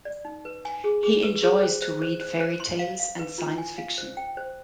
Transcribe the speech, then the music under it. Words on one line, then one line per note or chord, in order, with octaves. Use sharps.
He enjoys to read fairy tales and science fiction.
D5
D#4
B4
G#5
G#4
G#4
B4
G#4
C5
C5
C5
C5
C5
C6
F5
F5
B4
F4
G#5
F5
C5
G5
C5